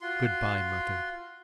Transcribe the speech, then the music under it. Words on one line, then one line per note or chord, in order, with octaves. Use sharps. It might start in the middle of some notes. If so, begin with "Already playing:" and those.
"Good-bye, mother."
F4 F#4 C6